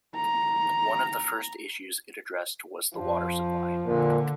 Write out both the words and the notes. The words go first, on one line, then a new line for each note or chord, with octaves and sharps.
One of the first issues it addressed was the water supply.
A#5
F2 F3
A#2 D3